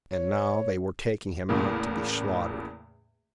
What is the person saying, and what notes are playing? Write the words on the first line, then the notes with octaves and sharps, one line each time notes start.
And now they were taking him out to be slaughtered.
C#5
E2 A2 C#3 A#3